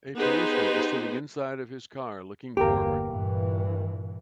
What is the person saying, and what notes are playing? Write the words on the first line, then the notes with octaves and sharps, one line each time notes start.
A policeman is sitting inside of his car looking forward.
B3 D#4 G4 G#4 B4 C5
G1 E2 A#3 G4 A#4
G2 A#2 E3